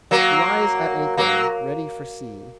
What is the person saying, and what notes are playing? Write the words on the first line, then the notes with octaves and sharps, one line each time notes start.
She lies at anchor, ready for sea.
F#3 A#3
F#3 A#3